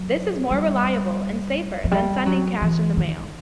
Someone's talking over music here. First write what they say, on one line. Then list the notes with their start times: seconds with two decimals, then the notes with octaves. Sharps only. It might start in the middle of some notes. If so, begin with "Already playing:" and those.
This is more reliable and safer than sending cash in the mail.
Already playing: F#3
0.51 G3
1.84 F#3
1.91 G3
2.26 F#3
2.62 E3
2.97 D#3